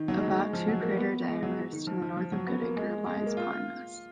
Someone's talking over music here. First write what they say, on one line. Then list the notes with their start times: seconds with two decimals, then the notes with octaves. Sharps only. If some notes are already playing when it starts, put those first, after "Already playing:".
About two crater diameters to the north of Goodacre lies Pontanus.
Already playing: D#3
0.08 F#3
0.18 G#3
0.28 F#3
0.38 G#3
0.53 F3
0.68 F#3
0.83 A#3
0.98 B3
1.28 G#3
1.43 F#3
1.73 D#3
1.87 F3
2.02 F3
2.17 F3
2.32 F#3
2.47 B3
2.62 A#3
2.77 G#3
3.06 G#3
3.17 G#3
3.26 A#3
3.37 F4
3.51 F4